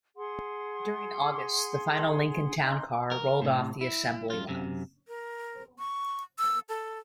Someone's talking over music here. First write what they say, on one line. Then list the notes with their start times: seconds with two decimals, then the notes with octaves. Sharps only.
During August, the final Lincoln Town Car rolled off the assembly line.
0.17 G#4 F#5 C6
2.60 D#4 G#5 C6
3.12 A#4
3.42 A2 C3
3.81 E4
4.30 F#2 F4
4.49 F#2 C3
5.08 A#4
5.79 C#6
6.38 E6
6.69 A4